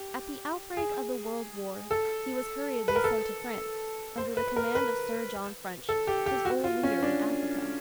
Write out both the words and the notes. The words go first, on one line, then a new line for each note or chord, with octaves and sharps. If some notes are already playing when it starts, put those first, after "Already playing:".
At the outbreak of the World War, he was hurriedly sent to France, under the command of Sir John French, his old leader in Africa.
Already playing: G4
G#4
A4
B4
A#4
A4
C5
B4
A#4
B4
A4
G4
G4
F#4
F4
C#4
D4